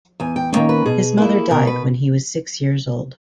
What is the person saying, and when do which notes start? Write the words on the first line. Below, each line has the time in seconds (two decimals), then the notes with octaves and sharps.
His mother died when he was six years old.
0.20 E2 G#5
0.36 G5
0.52 D#3 A#3 C#4 G5
0.69 B4
0.85 B2 G#4
1.18 A#3 E4
1.51 B2 A#4
1.67 B4